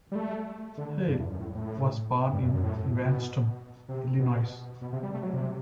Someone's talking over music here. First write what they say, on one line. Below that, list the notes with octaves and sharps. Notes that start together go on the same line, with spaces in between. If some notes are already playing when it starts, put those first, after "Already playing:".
Hale was born in Evanston, Illinois.
G3
A3
D3
G2
E2
F#2
A2
A2
G2
F#2
F#2
A2
B2
C3
B2
B2
C3
G3
A3
F#3
C3